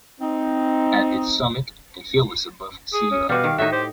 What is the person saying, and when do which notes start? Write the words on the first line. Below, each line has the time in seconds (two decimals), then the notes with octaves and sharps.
At its summit the hill is above sea level.
0.21 C4 D#4
2.93 G#4 D#6
3.11 C#4
3.29 B2 G3 F#4 F5
3.44 D#3
3.58 A2 D#4 F#4 E5
3.72 G4 C5